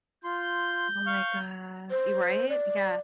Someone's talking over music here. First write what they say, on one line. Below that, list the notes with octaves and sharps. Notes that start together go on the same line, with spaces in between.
Oh my gosh y right? Yeah.
F4 C6 G6
F5 C#6 F6
C5
D5